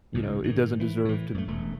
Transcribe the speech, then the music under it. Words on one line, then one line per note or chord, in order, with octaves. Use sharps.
you know, it doesn't deserve to
C#2 A2
G#2 D#3
E3
A2 E3
F#2 F#3 A3
E1 F2 A3